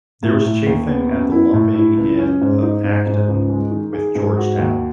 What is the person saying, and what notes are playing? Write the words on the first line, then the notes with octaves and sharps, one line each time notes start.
There was chafing at the lumping in of Acton with Georgetown.
A2
A2
D#2
B3
F#2
E4
A2
E4
C#2
C#4
G#2
D#4
G#2
G#2
C#2
G#3
D#3
G#4
G#2
F#4
D#2